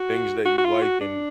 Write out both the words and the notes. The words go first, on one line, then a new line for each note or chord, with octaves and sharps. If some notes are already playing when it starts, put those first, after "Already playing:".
things that you like and
Already playing: F#4
F#4
F#4
F4
F#4
D4